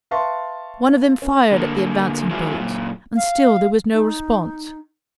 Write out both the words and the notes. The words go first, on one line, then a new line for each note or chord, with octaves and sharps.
One of them fired at the advancing boats, and still there was no response.
B4 E5 F5 A5 C6 C#6
C#4
D3 A#3
F#3 G#3 A#3 E4
F#2 A#2
F5
D#4